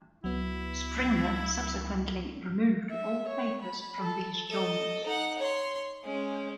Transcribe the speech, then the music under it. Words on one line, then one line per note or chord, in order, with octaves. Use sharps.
Springer subsequently removed all the papers from these journals.
C#2 F#3 B3 E4
E5
C#5
B5
A4
A4 D#5
D#4 F#5
C#5 C6
G#3 C#4